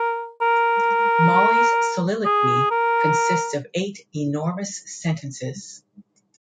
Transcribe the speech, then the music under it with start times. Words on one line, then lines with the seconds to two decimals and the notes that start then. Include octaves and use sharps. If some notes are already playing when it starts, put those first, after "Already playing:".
Molly's soliloquy consists of eight enormous sentences.
Already playing: A#4
0.41 A#4
2.25 G#4
2.71 A#4